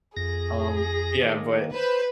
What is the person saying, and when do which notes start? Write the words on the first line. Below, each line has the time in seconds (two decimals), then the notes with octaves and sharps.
Um, yeah, but
0.17 F2 G#4 A#6
1.23 D#3 A#3
1.74 B4 C5